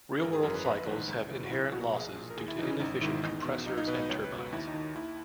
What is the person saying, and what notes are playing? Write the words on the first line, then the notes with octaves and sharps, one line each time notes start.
Real world cycles have inherent losses due to inefficient compressors and turbines.
G#1 A#4
G#4
F#2 E3 A#4
B4
A#1 B4
G#2 D#3
C#2
C#3 E3
F#4
B1 E4
B2 F#4
A#1 G#4
A#2
A#4
D#2 G#4
E4
C#3 E3 D#4
C#4
G#1 D#4
G#2 D#3 E4
E2 D#4
B2
B1 D#4
D#4
B2 B4
D#5
C#2 C#5
B4
B2
F#4
D#2 E4
D#4
D#3
D#2 E4